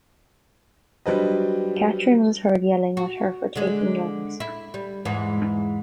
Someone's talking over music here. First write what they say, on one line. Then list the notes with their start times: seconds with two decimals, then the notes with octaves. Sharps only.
Catherine was heard yelling at her for taking lovers.
1.06 F#3 G3 D4 B4 C5 D#5
2.97 F#4
3.55 D3 G#3
4.40 E4
4.74 G3
5.05 E2 G#2 E3